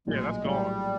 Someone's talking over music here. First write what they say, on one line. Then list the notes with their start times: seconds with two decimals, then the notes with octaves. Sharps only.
Yeah, that's gone.
0.07 A#1 A2 F#3 G#3
0.44 A2 F#3 G3